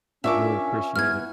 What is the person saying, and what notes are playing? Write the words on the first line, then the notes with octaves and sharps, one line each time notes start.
I really appreciate it.
C#4 D4 F4 A#4 E5 C#6 D6
B3 E4 F6 G#6